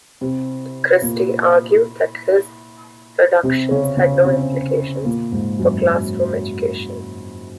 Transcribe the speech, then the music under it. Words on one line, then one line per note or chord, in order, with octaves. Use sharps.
Christie argued that his reductions had no implications for classroom education.
C3 C4
A#2 A#3
C3 C4
C#3 C#4
C#3 C#4
C3 C4
A#2 A#3
G#2 G#3
F#2 F#3